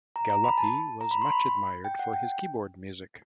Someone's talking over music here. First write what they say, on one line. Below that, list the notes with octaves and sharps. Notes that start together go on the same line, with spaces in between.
Galuppi was much admired for his keyboard music.
A#5
A#5
B5
A5
A#5
B5
C6
B5
G5
F#5
G5